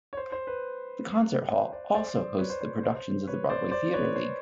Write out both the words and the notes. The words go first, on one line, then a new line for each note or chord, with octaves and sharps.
The concert hall also hosts the productions of the Broadway Theater League.
C#5
C5
C5
B4
C5
C5 D5
C5 D5
C5 D5
B4 C#5
C5
C5
C5
B4 C#5
C5 D5
C5 D5
B4 C#5
C5